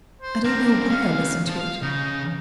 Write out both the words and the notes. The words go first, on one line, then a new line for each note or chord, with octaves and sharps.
I don't know why I listened to it.
C5
C4 D4 A#4
G#3 C#4 F5
C5 A5
F5
C#3 D#4